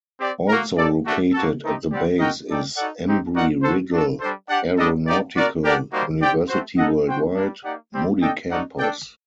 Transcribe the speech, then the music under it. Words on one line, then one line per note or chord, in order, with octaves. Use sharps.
Also located at the base is Embry-Riddle Aeronautical University-Worldwide: Moody Campus.
C4 G4 D5
A#3 F#4 A#4
D#4 A4 D5
A3 D4 F#4
A#3 F#4 A4
A3 C4 D#4 G4
G3 C4 G4 D5 F#5
D#4 F#4 A#4 D#5 G5
D#4 A4 D5 G5
D#4 F#4 A4 D5 F#5
C4 D#4 G4
D#4 F#4 A#4 D5 F#5
F#4 A4 C5
D4 F#4 A4
G3 D4 A4 C5
D4 G4 D5 F#5
G3 D4 A4 D#5
D#4 G4 D5
F#4 A#4 D5
D4 G4 A#4 D5 F#5
G3 A#3 D#4 F#4 C5
C4 G4 D5 G5
A3 C4 F#4 C5
D#4 A4 D#5 F#5
F#4 C5 G5
G3 A#3 D4
A#3 D#4 G4 D5 F#5
G3 C4 G4
D4 A4 D#5 G5
D#4 F#4 A4 D5 F#5
D4 A4 D5 G5